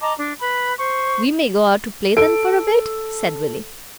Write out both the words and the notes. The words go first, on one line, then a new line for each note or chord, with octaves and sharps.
"We may go out to play then for a bit?" said Willie.
D#5 A5 A#5 D6
D4
B4 B5
C5 C#6
A4 D7